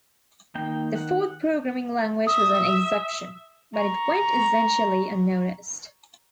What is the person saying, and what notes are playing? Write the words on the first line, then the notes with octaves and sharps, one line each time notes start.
The Forth programming language was an exception, but it went essentially unnoticed.
D#3 A#3 D#4 G5
F#5
E5 D#6
A#5 C#6